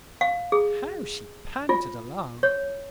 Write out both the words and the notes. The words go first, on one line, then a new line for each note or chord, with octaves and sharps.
How she panted along!
F5
G#4
F4
C#5